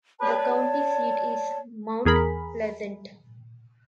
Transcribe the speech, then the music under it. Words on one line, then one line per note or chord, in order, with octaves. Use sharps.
The county seat is Mount Pleasant.
C#5 D5 A5
E2 G#4 A#4 B5